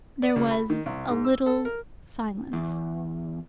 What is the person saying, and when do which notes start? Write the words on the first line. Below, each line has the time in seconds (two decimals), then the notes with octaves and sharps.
There was a little silence.
0.22 D5
0.36 C#2
0.51 B5
0.70 D#3
0.86 C2
1.09 G#2
1.24 E6
1.46 A4
1.65 A#4
2.53 E2